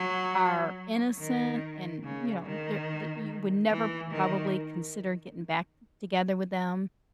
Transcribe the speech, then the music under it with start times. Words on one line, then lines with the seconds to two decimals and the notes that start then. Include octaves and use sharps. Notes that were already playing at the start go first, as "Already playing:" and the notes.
are innocent and, you know, they're that you would never probably consider getting back together with them,
Already playing: F#3
1.18 D#3
2.03 C#3
2.44 D#3
3.71 E3
4.11 D#3